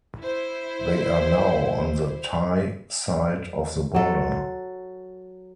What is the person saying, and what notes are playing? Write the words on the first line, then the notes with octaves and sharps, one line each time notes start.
They are now on the Thai side of the border.
E4 C5
F#3 A4